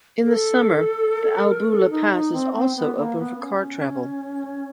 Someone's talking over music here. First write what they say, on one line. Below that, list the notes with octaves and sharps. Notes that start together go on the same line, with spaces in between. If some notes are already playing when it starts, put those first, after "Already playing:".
In the summer, the Albula Pass is also open for car travel.
A4
A#4
A4
D#4
D#4
C4
C4
B3
A#3
B3
C#4